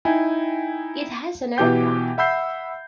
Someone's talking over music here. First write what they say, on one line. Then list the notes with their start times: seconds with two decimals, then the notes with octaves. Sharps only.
It has an airport.
0.05 D#4 E4 G5 G#5
1.58 B2 E3 G4 G5 G6
2.18 E5 F#5 B5 E6 G6 C7